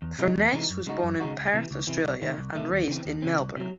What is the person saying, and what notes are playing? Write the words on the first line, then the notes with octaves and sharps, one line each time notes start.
Furness was born in Perth, Australia, and raised in Melbourne.
E2
C3 E3 G#3 D#4
E2
C3 E3 G#3 D#4
F#2
C#3 G#3 D#4 F#4
F#2
C#3 G#3 D#4 F#4
C#2
C3 E3
C#2
C3 E3
C2
C3 D#3 A3
C2
C3 D#3 A3
D#2
C#3 E3 C4
D#2
C#3 E3 C4
C2
C3 F#3